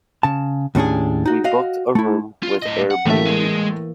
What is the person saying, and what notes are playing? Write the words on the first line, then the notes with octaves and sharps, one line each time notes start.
We booked a room with Airbnb.
C#3 A5
D#2 A2 C#4 D4 G#4
D#4 F#4
F#4 D#5 F5
A3 E4
F4
A2 D#5
F#5
C#2 A2 E3 A3 A#3 E5
G#3 G#4